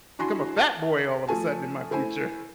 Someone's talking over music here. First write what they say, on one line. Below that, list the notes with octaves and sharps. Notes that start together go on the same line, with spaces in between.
become a fat boy all of a sudden in my future.
D4 E4 F#4 G#5 C6
A5
F3 A3 G#5 A5
A3 E4 C5 G#5